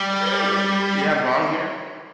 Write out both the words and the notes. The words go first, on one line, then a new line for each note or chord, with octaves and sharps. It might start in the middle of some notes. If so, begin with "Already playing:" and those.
Really? Do you have long hair?
Already playing: G3